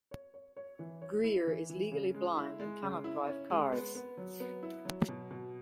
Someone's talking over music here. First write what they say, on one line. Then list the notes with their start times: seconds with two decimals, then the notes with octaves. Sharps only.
Greer is legally blind and cannot drive cars.
0.11 C#5
0.34 C#5
0.57 C#5
0.79 E3
1.02 C#5
1.24 E4
1.47 E3
1.69 E3
1.92 C#3
2.14 G#3
2.37 E4
2.60 G#3
2.82 C#3
3.04 E4
3.27 C#4
3.50 G#3
3.72 B3
3.95 B3
4.17 F#3
4.40 B3
4.63 E4
4.85 F#3
5.08 B2
5.31 B2